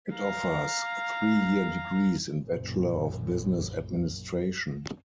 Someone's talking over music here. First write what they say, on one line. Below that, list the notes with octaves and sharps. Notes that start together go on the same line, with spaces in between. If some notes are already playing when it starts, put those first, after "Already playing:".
It offers three year degrees in Bachelor of Business Administration.
F5 A#5
F#1 B1 F#2 A#2